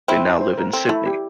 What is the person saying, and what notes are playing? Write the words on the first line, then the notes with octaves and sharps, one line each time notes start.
They now live in Sydney.
C4 E4
C5
A#4
C4 A4
A3 E4
G4